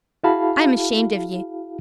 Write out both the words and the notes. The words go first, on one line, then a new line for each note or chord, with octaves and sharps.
I am ashamed of you.
E4 F#4 G#4 F5 A5 B5